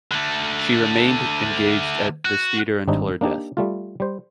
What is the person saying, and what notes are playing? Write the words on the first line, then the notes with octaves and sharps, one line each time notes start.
She remained engaged at this theater until her death.
D3 A3
F#4
G#1 G3 C4 D4 D#4
A#3 D4 D#4 G4
G3 A3 F4
G3 C5